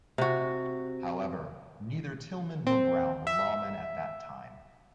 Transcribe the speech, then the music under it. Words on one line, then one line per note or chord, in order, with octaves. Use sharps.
However, neither Tilghman nor Brown were lawmen at that time.
C3 F#4
C4
E5